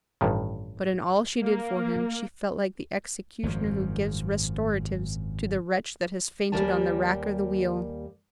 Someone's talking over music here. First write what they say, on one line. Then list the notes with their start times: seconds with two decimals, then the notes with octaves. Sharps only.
But in all she did for him, she felt like the executioner who gives restoratives to the wretch that has fainted on the rack or the wheel.
0.21 A1 G2 D#3
1.41 A#3
3.43 G#1 F#2 A2 F3
6.52 D#2 G3 A#3 A#4 G#5 A5